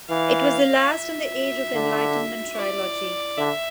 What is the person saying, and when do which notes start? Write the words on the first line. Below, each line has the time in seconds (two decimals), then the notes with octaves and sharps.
It was the last in the "Age of Enlightenment" trilogy.
0.10 E3 F5
0.92 E5
1.74 D3
2.56 D5
3.38 D3 E5